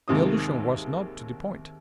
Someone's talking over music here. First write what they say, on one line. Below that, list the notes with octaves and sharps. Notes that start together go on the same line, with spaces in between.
The allusion was not to the point.
D#2 G#2 C3 A#3 D#6